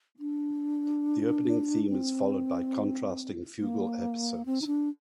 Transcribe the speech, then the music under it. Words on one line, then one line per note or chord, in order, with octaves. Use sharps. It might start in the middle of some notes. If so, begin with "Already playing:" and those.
The opening theme is followed by contrasting fugal episodes.
D4
C4
A#3
C4
D#4
D4